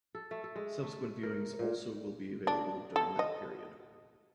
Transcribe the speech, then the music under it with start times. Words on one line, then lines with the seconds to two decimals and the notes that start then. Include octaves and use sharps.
Subsequent viewings also will be available during that period.
0.15 A4
0.31 A3
0.44 A4
0.56 G#3
0.83 A3
1.23 A#4
1.59 A#2
2.47 D4
2.96 A4
3.19 D#5